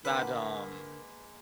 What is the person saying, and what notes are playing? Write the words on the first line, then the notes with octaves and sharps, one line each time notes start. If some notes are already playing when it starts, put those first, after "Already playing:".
but, um,
D3 G#3 A#3 A#4 B4 F#5